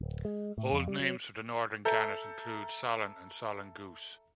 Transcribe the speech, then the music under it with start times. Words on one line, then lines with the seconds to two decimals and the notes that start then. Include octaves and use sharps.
Old names for the northern gannet include solan and solan goose.
0.01 D1
0.25 G#3
0.58 A2
0.72 F2
0.88 G3
1.00 F#3
1.85 A4 E5 A#5 G6